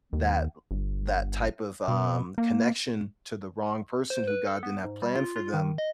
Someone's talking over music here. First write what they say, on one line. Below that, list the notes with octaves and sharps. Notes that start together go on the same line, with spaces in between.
that l that type of, um, connection to the wrong person who God didn't have planned for them,
D#2
G1
B2
A#3
C5
B4
A4
B3
G#2
G3
F4
F4
D#3
D#5